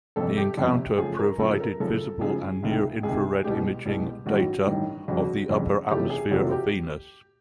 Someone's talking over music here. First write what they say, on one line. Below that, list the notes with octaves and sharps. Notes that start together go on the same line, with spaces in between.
The encounter provided visible and near-infrared imaging data of the upper atmosphere of Venus.
G1 F2 C3 A4
G4
G1 F2 C3
F#2 C#3 F3 A3 G#4
A#4
F#2 C#3 F3 A3 A4
A#4
F#2 C#3 F3 A4
F#2 C#3 F3 G#4
C#2 C3 D#3
C#2 C3 D#3 G#4
C2 B2 G#3 G4
C2 B2 G#3
A1 G2 D#3 F#4
A1 G2 D#3
G1 F2 C#3 F#4
G1 F2 C#3
F#1 E2 C3 F3 A3 G4
G#4
F#1 E2 C3 F3 A3 F#4
G4